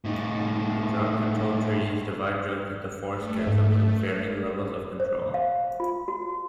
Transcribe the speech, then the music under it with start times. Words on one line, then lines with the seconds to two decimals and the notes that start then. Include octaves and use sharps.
The drug control treaties divide drugs into four Schedules with varying levels of control.
0.05 A2 D#4
3.11 A3
3.47 G#2
5.00 C5
5.34 F5
5.80 F4
6.08 F#4